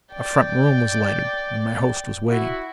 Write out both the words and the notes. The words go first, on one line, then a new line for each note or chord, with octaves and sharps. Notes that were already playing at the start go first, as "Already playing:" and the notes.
A front room was lighted; my host was waiting.
D5 G5
E4 F#4